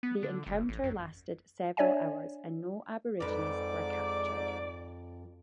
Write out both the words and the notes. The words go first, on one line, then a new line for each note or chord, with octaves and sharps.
The encounter lasted several hours, and no Aborigines were captured.
B3
D3
F#1
A1
F#2
D4 C#5 D5 E5 G#5
F2 G#2 B4 D5 D6